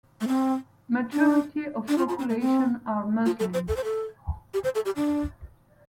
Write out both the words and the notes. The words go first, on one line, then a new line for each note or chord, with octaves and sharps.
Majority of population are Muslims.
A3
C4
D4
D4
F4
F4
C4
A3
C4
F4
A4
C5
A4
C5
A4
G4
C5
A4
G4
D4